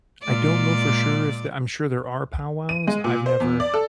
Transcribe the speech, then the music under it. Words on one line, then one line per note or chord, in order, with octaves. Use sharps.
I don't know for sure if the I'm sure there are powwows. I've never,
A#2 G#3 D5
D#7
G#3
A#2
C5
E2
D5
A4